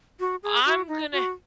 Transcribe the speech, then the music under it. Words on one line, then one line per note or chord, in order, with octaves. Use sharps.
I'm gonna
F#4
G#4
F#4
D#4
F#4